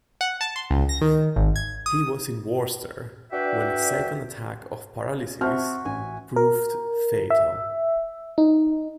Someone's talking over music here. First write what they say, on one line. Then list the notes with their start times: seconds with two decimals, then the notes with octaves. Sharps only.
He was in Worcester when a second attack of paralysis proved fatal.
0.21 F#5
0.41 A5
0.56 C6
0.70 C#2
0.89 A#6
1.01 D#3
1.36 G#1
1.56 G#6
1.86 D#6
3.33 D4 F#4 B4 D5 E5 G5
5.41 C4 F#4 E5 A5 F6
5.85 A1 G#5
6.36 A#4
7.30 E5
8.38 D#4